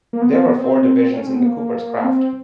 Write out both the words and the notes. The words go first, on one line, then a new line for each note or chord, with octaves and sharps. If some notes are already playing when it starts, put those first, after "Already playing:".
There were four divisions in the cooper's craft.
A#3
B3
C4
B3
C4
C#4
C4
B3
A#3
C4